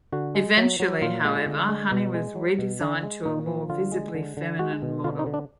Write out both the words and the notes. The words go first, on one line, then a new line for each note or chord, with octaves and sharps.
Eventually, however, Honey was redesigned to a more visibly feminine model.
D3 F#4
G#3
F#3
F#3
A#2 F4
G#3
D3
G#3
B2
G#3
F#3
B2
D3 D4
G#3
A#2 D#4
F3
D3 F4
G#3
D3
D3
G#3 F#4
B2
D3 F4
D#4
D3
D4